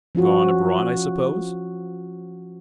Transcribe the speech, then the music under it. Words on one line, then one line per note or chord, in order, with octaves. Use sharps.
"Gone abroad, I suppose?"
F3 C#4 F4 F#4